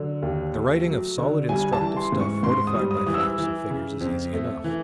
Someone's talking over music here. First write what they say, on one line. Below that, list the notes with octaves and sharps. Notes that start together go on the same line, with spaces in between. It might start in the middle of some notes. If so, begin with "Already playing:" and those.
The writing of solid, instructive stuff fortified by facts and figures is easy enough.
Already playing: D3 F#3
D#2
A3
F#3
D3
G3 G#5
G#5
A5
E3
C6
G#2
C#6
G#2 C6
D#6
G3
D#6
E3 D#6
E6
E3
C#3
F2
A3
E3